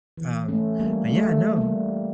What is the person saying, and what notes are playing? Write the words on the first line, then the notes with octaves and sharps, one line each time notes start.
um, but, yeah, no.
E3
A3 C#4
G3 A#3
A3
G3 A#3